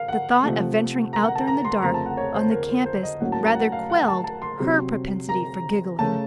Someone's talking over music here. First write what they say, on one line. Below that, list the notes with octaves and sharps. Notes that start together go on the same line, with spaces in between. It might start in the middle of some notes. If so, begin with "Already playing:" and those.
The thought of venturing out there in the dark on the campus rather quelled her propensity for giggling.
Already playing: F5
F#5
C3 F3 A3
A#5
F#5
A5
A#5
C6
F2 C#3 A3 C4 A#5
A5
F#5
C#5
C5
A#4
C5
C5
D#5
A2 F#3 A#3 C#4 F#5
A5
A#5
F#5
F5
F#5
A5
A5
C6
C3 F#3 C4
A#5
C#3 A3 C#4 A5